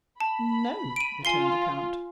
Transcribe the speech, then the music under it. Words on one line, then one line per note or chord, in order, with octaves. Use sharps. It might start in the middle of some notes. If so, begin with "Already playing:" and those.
"No," returned the count.
A5 B5
D7 D#7
F4 G#5 C7 G7